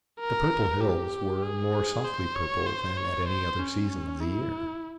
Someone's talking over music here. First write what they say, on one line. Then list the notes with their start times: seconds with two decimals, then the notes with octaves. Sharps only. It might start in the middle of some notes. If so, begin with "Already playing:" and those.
The Purple Hills were more softly purple than at any other season of the year.
0.20 A#4
0.81 G4
1.43 G#4
2.05 C5
2.36 C#5
2.67 C5
2.97 C#5
3.28 C5
3.59 C#4
4.20 E4